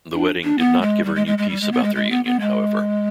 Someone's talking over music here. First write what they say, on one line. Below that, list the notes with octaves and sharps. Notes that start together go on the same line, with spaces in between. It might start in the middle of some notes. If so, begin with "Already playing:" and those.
The wedding did not give her new peace about their union, however.
D4
D4
B3
G#3
G3
G#3
G#3
G#3
G3
G#3
B3
G#3
G#3
B3
B3
G#3